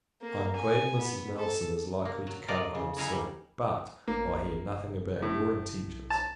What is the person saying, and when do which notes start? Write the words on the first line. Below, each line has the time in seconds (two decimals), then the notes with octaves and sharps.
I am glad Mrs. Nelson is likely to come home soon; but, I hear nothing about your intentions.
0.21 A#3
0.56 G#5
0.99 B3
1.38 A4
2.05 A#3
2.27 F#3
2.48 F4 A4 A#4 D5 D#5
2.75 C#3
2.97 F#3 D#4 E4 F5 G#5 A#5
3.12 G3
4.08 A1 A#3
4.69 F#1
5.22 A2
5.87 B1
6.10 A5